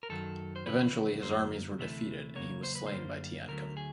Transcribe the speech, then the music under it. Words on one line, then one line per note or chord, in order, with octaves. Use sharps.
Eventually his armies were defeated and he was slain by Teancum.
A#4
F#2 D#3 F#3 A4
C5
F2 C#3 E3 B4
F#2 D3 F#3 A#3 C5
D2 C3 E3 A3
E2 C#3 F#3 A#3 C#5
C5
B4
C5
F#2 D3 G3 A#3
D2 D3 F#3 A3 A#4
G#4